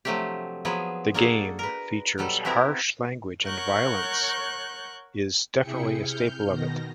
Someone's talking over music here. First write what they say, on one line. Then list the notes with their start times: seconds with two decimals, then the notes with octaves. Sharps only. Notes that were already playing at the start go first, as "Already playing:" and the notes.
The game features harsh language and violence is definitely a staple of it.
0.05 C3 F3 F#3 A3 D4 G4
0.65 F3 F#3 B3 G#4 B4
1.14 A#3 D4 F#4 G#4 A4 F#5
1.59 A#4 B4
2.18 B2 F#3 G3 A4
2.45 B3 C4 E4 F#4 G4 A#4
3.44 A#4 C#5 F#5 C#6 F#6 G6
5.60 C3 E4 G#4 G5 C#7
6.02 F6 G6
6.48 B2 D#3 A#6